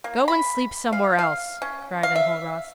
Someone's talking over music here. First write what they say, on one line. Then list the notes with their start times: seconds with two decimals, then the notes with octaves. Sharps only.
"Go and sleep somewhere else," cried Enjolras.
0.04 A#3
0.28 B5
0.93 F5
1.19 F5
1.62 C#4
2.03 F5
2.16 E5